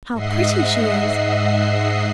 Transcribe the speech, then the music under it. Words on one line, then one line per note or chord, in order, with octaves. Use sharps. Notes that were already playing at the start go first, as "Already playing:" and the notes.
How pretty she is!
G#2 D#5 E5 F#5 C7